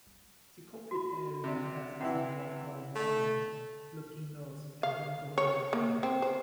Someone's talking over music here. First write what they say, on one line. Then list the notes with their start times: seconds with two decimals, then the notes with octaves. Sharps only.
The cockpit area has a somewhat more "modern" looking nose and window arrangement.
0.91 F4 F#4
1.44 C3 D4
2.00 C3 E3 C#4 E4 F#5 G5
2.95 A3
4.83 F5
5.38 C#5
5.73 A#3
6.03 C4
6.22 C5